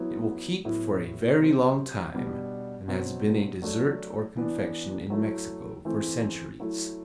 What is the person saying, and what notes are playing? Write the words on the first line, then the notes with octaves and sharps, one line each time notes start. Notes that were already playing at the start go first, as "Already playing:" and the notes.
It will keep for a very long time and has been a dessert or confection in Mexico for centuries.
Already playing: F#3 B3 E4
A2 F#3 B3 E4
C3 F#3 C4
B2 G3 B3 D4
B2 F#3 C4
F#3 A3 D4
E3 B3 D4
F#3 A3 E4
E3 A3 C4
F#3 A3 E4